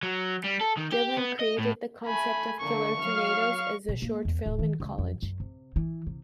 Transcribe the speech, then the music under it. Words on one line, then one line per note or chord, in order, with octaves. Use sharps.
Dillon created the concept of Killer Tomatoes as a short film in college.
F#3
G3
A4
D#3
G4
B3
D#5
A2
A3 G#5 B5
D3 A3 A#3 C#6
F#3 F5 F6
B2
A#3
E2
D1
D#3
C#2
F2
F#2
C3
E3
C3